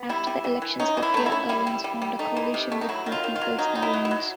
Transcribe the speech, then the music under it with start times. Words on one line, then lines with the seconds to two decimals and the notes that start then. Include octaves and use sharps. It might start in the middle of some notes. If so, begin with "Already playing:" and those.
After the elections the "Fear-Alliance" formed a coalition with The People's Alliance.
Already playing: B3
0.09 G3 E4
0.27 G3
0.44 E3
0.62 E3
0.79 C#4 D#4
0.97 E3
1.02 E4
1.14 A3 D#4
1.26 E4
1.32 C#4
1.49 G3 E4
1.67 G3
1.84 G3
2.02 G3
2.19 A3 D#4
2.37 E3
2.54 C3
2.72 A3
2.81 D#4
2.89 F#3 E4
3.06 D#3
3.12 F4
3.24 D#3
3.36 F4
3.41 F#3
3.58 F#3 D#4
3.75 D#4
3.82 E4
3.93 F#3
4.05 E4
4.11 F#3